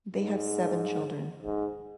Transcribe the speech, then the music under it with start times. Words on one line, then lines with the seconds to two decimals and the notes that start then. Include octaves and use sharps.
They have seven children.
0.15 G#2
1.43 G#2